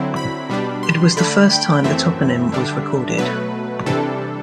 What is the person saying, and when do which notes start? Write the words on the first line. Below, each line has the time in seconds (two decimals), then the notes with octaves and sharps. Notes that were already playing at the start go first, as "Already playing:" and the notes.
It was the first time the toponym was recorded.
Already playing: D3 F#3 C4 E4
0.16 B5
0.50 B2 G3 D4
0.83 C6
1.17 D3 A3 D4 B5
1.51 G5
1.84 F#2 E3 A3 C4 E5
2.52 D3 G3 D4
3.18 B2 F#3 A3 B4
3.86 C3 E3 G3 D4 A4